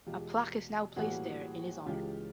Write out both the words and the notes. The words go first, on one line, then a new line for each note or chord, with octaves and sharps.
A plaque is now placed there in his honor.
E2 B2 G#3 F4 G4
A2 E3 G3 A#3 F#4 G#4
C#2 C#3 E3 G#3 F4 G4